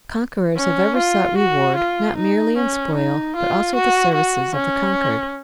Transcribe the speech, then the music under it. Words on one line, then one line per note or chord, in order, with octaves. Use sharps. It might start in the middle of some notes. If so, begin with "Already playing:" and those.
Conquerors have ever sought reward not merely in spoil, but also the services of the conquered.
C#4
F4
F#4
F4
D#4
C#4
D#4
F4
F#4
F#4
C#4